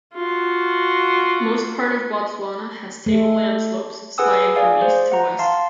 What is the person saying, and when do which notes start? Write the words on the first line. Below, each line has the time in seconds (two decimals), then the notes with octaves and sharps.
Most part of Botswana has tableland slopes sliding from east to west.
0.14 F4 F#4
3.06 A3
4.18 G#4 B4 F#5 G#5 D#6 E6
4.56 G#4 D5 F5 G#5
4.82 C5
5.12 F#5 A#5
5.39 F5 A5 C6